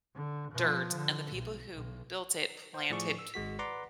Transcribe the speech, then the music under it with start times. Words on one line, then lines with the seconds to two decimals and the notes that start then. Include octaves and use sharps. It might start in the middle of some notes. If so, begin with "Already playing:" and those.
dirt, and the people who built it planted,
0.15 D3
0.52 B2 F3
0.94 D3
1.31 B1
1.71 B1
2.74 C5 F5
2.90 A2 F3 G#4 D5 C#6
3.19 E6
3.34 G#1 G#3 F#4 B6
3.59 B4 D5 F#5 A#5 C6 D6